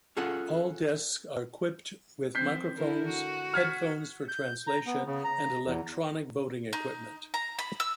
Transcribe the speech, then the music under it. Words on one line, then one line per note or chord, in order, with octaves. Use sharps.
All desks are equipped with microphones, headphones for translation and electronic voting equipment.
C#4 F4 G#4 A4 F#5
F3 C4 G6 B6 C7
D3 E4 A#4
F#4
F6 G#6 B6
G6
A#5
B3
C#3
A#5
E2
D#4
A#5
B5
E6